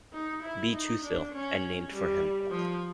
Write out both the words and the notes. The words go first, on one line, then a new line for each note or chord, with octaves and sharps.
B. Tuthill, and named for him.
D#4
E4
D#4
D4
C#4
G3
F3